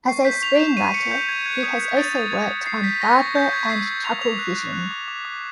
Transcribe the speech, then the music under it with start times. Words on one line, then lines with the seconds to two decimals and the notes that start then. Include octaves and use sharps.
As a screenwriter, he has also worked on "Barbara" and "ChuckleVision".
0.08 C#6 C7
0.25 G6 B6
0.42 C#6 F7
0.59 G6 E7
0.77 C#6 D#7
0.94 C#6 C#7
1.11 G6
1.29 C#6 G#6
1.46 F#6 G#6
1.63 D#6 G#6
1.80 F#6 G#6
1.97 D#6 A6
2.14 D#6 G#6
2.32 D#6 G#6
2.50 D#6
2.66 D#6 C7
2.83 G6 B6
3.00 C#6 A#6
3.18 C#6 G#6
3.35 C#6 G6
3.52 C#6 G#6
3.69 E6 C7
3.86 E6
4.04 G6 F7
4.21 D6 F7
4.39 F#6
4.55 F#6
4.73 F#6
4.91 D6
5.08 D6
5.25 D6